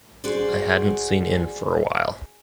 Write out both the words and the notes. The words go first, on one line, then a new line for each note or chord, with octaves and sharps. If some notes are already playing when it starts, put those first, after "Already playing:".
I hadn’t seen in for a while.
F#4 G#4 C5 D5